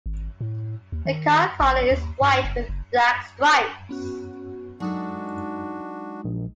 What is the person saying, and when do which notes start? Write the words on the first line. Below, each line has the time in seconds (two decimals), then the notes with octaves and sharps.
The car colour is white with black stripes.
0.06 G#1
0.41 A2
0.92 D#2
1.05 D#3
1.60 A1
1.91 D#2
2.21 G2
2.44 F#1
2.69 F#1
3.89 B3 C#4 F#4
4.80 F#3 G#3 D4 D#4 F#4 A4
6.24 A#1